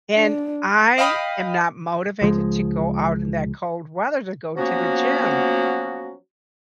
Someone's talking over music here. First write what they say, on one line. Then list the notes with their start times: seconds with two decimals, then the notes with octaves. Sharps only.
and I am not motivated to go out in that cold weather to go to the gym.
0.15 D4
0.98 D#5 F5 G5 B5 D#6
2.22 C#2 F3 G#3
4.56 F3 F#3 A#3 B3 C#4 F#4